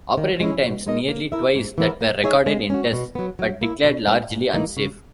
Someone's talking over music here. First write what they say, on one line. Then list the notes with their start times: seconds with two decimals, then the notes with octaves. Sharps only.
Operating times nearly twice that were recorded in tests, but declared largely unsafe.
0.17 D#3
0.40 G#3 C#4 E4
0.63 B2
0.87 G#3 D#4 A#4 D#5
1.09 A#3
1.32 E4 A#4 E5
1.55 G#2
1.78 E3 B3 E4 A#4
2.01 A#3
2.24 D#4 G#4 C#5 E5
2.46 G#3
2.70 C#4 F#4
2.93 B2
3.15 F#3 B3
3.39 F#3
3.61 A#3 E4
3.84 B2
4.07 G#3 B3 D#4
4.30 G#2
4.54 E3 A#3 D#4
4.77 C#3